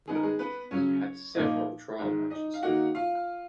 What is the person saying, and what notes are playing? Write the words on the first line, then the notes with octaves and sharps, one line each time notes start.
He had several trial matches.
D#3 G#3 B3 D#4 G#4
A#4
G#3 G#4
B3 B4
C#3 F#3 C#4 C#5
A#2 F3 A#3 D#4
G#2 D#3 G#3
D#4 D#5
F5
D#3 A#3 D#4 F#4 F#5
F4 F5